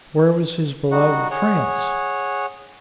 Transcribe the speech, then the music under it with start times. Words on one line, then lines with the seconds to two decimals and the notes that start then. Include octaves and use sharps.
Where was his beloved France?
0.91 G3 D#4 F#4 F#5
1.31 G#4 C#5 F#5